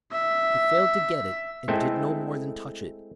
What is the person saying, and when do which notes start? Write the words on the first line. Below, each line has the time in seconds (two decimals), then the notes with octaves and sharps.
He failed to get it, and did no more than touch it.
0.12 E5
1.68 G#3 A3 C4 E4 A4 C5